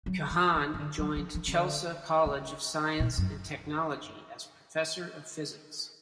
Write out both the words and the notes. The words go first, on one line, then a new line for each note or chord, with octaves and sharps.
Keohane joined Chelsea College of Science and Technology as Professor of Physics.
F#3
D#3
D#3
D#3
D3
F#3
F3
E3
C#3
D3
C#3
A#2
F#2